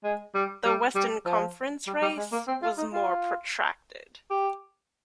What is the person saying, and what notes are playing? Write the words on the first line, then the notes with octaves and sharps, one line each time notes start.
The Western Conference race was more protracted.
G#3
G3
G3
G3
F3
G3
G3
G#3
A#3
C4
F4
D#4
F4
G4